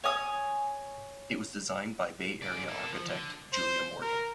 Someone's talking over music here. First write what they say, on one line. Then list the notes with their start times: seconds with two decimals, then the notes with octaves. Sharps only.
It was designed by Bay Area architect Julia Morgan.
0.04 C#5 G#5 D#6
2.42 G#2 D5
2.68 A#3 A4
2.92 F3
3.09 D3
3.53 C5
4.02 A#4